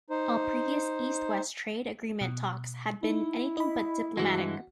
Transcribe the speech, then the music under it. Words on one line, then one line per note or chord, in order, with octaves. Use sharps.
All previous East-West trade agreement talks had been anything but diplomatic.
D#4 C5
B2
D#4 E4
D#5 B5
G2 E3 G#3 F#4